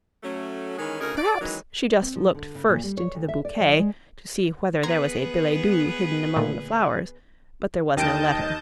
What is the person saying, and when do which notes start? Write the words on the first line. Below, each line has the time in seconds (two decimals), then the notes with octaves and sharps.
Perhaps she just looked first into the bouquet, to see whether there was a billet-doux hidden among the flowers; but there was no letter.
0.23 F#3 A3 C#4
0.78 D#3 E3 G#3 C#4
1.00 D2 C#3 D#4 G#4 A#4
1.17 D5
1.41 D#3 E3 F#3 G#3 C#4 D#4
2.02 C4
2.16 F3
2.35 D3
2.55 C#3
2.69 A#2
2.83 G3
2.97 C#5
3.15 D2
3.28 E5
3.45 D5
3.60 F3
3.79 G#3
4.83 B3 G#4 B4 A#5 C6 G#6
6.36 A#2 D3 A3
7.97 D#2 D#3 D#5 G5 A5 G6 D7